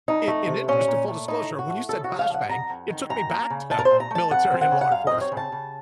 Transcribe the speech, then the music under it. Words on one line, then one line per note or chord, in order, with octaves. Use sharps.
in interest of full disclosure, when you said "flashbang," it took me back to, uh, military and law enforcement.
F2 D#4
A3
C3
A#2 C#4
A#2
A3
A2 D#4
A2
F#4
A3
C#3 A4
C#3 F#4
F5
F3 F#5
F2 A#5
F2
D#3
F#2 A#5
A#3
C#3
A#2 A5
A#4
C5
A#2
A#5
A3 A5
F2 F#5
C4
F#5
C#3
F#5
F#2 F5
C4 D#5
C#5
C#3
A5
C#3